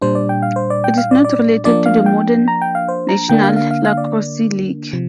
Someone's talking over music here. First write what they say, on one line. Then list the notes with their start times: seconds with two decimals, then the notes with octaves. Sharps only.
It is not related to the modern National Lacrosse League.
0.02 A#2 G3 D4 C5
0.15 D5
0.29 G5
0.43 F5
0.56 C5
0.70 D5
0.84 G5
0.98 F5
1.11 D5
1.24 D5
1.65 F3 A#3 D4 D5
1.86 F5
2.06 G5
2.48 A#5
2.62 G5
2.75 F5
2.88 C5
3.09 A#5
3.29 D3 A#3 D4 G5
3.43 F5
3.56 F5
3.71 F5
3.84 F5
3.97 D5
4.93 C3 F3